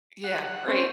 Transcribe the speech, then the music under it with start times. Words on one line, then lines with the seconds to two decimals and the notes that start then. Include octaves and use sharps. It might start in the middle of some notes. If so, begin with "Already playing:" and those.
Yeah, great.
0.24 F#5
0.68 C4 C#4 C5